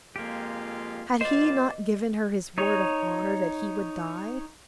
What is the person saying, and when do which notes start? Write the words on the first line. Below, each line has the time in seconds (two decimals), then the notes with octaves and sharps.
Had he not given her his word of honor that he would die?
0.16 F2 G#3 A#3 F4 G4
1.21 C#2 B3 F4 C5 D5 D#5
2.58 D#4 C#5